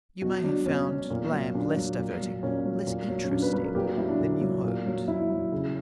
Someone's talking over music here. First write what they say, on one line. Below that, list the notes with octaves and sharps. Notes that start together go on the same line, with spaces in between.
You may have found Lamb less diverting, less interesting, than you hoped.
B2 F#4
F#3 D4
B2 C#4
F#3
A#2
F#3
A#2 D4
F#3
A#2
F#3
A#2 C#4
F#3
A#2
F#3
C#4
A#2 D4
B4
F#3 B4
A#4
A#2 G4
F#4
F#3 E4
D4
A#2
F#3
A#2
F#3
A#2 E4
F#3
C#3